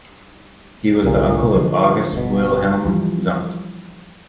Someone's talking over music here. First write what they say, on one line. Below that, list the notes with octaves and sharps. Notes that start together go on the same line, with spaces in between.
He was the uncle of August Wilhelm Zumpt.
G1 C2 A#2 D3
D3 F3 G#3
G1 B2
E3 F3 G3